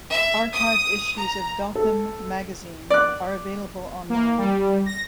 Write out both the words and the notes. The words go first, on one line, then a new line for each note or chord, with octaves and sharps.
Archived issues of "Dothan Magazine" are available online.
E5
D#6
A#5
A4
D5 F#6
A#3
G3
A#6